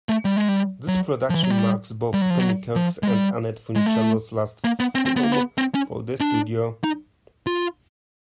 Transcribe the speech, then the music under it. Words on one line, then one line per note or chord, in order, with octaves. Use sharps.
This production marks both Tommy Kirk's and Annette Funicello's last film for the studio.
A3
G3
G#3
G3
F#3
F3
E3
F#3
G3
G3
F#3
F3
F#3
F3
G#3
G3
G#3
A3
A#3
B3
C4
C4
B3
A#3
B3
C4
C#4
D4
D#4
F4